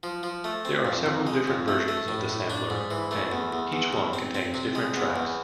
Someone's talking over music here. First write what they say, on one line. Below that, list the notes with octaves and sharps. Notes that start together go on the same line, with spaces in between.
There are several different versions of the sampler, and each one contains different tracks.
F3
F3
A3
C4
F2
F2
G#3
F2
A3
A3
A2
A2
D4
G#2
E3
A3
E2
E2
E2
E2
C4
C4
C3
G#3
E2
E2